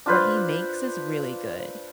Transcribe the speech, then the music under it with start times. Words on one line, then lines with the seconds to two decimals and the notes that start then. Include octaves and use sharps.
what he makes is really good.
0.06 D4 F4 B4 C5